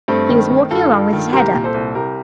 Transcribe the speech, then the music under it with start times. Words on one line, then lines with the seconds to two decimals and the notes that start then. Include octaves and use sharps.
He was walking along with his head up.
0.08 G2 A3 C4
0.29 D#3
0.50 D#3
0.71 G2 F4 A4
0.91 G2
1.12 D#3
1.33 C2 G4 A#4
1.54 A#2
1.64 A4 C5
1.74 C2
1.95 C2 G4 A#4